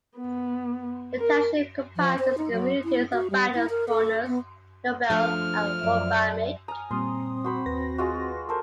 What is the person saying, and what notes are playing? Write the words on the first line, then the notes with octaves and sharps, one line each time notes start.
The township comprises the communities of Badger's Corners, Nobel, and Waubamik.
B3
A#4
F3
C5
D#4
F#3
E4
F#4
G3
E4
A#4
A4
B3
F3 A3 D4 F6
F#2 D5 E5
G#5 A#5 D#6 F6
A#2 G3 C4 C6 D#6
F#4 C5 B5
D#2 B4 A#6
G#3 F4 F#4
A4 A#4 C5